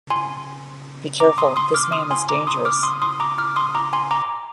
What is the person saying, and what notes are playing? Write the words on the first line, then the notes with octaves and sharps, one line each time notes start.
Be careful, this man is dangerous.
G#5 C6
A#5 D6
C6 D#6
C6 D#6
D6 F6
C6 D#6
G#5 C6
A#5 D6
C6 D#6
D6 F6
C6 D#6
C6 D#6
A#5 D6
D6 F6
C6 D#6
A#5 D6
G#5 C6
A#5 D6